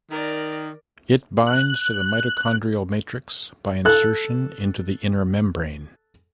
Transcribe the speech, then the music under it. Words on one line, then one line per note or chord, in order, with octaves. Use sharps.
It binds to the mitochondrial matrix by insertion into the inner membrane.
D#3 A#4 D5
F#6
A4 F#6